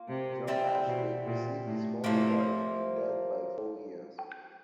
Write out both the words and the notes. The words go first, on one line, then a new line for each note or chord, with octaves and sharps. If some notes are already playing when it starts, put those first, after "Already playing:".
John Ashley preceded his former wife in death by four years.
Already playing: A#3 F4
C3
E3 G3 C4
B2
A#2
A2
A2 C3 F3 A#3